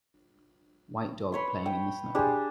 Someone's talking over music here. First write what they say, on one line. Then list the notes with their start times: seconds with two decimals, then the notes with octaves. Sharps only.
White dog playing in the snow.
1.32 B4 C#5 C6
1.66 G5
2.15 D4 G4 G#4 C5